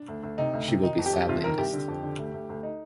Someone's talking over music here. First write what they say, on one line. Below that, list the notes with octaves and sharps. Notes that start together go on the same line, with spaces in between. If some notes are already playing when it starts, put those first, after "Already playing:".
She will be sadly missed.
Already playing: D4
D2
D2
C3 D#4
D2
C3
D#3 D#4
F2
G4
F2
C2 F4
D#3 A#4
C2 G4
D3
F2
D3
D2
D2
D2
D#4